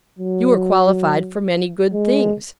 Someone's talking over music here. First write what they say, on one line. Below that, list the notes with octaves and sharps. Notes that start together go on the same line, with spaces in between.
You are qualified for many good things.
F#3
G#3